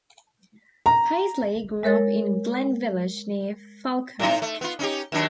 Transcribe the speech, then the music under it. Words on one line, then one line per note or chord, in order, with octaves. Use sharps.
Paisley grew up in Glen Village near Falkirk.
A#5
G#3 A#4 C#5 A6
A2 D#4
A3
B3 F4
C#4 D#4 G4
D#2 F#3 D4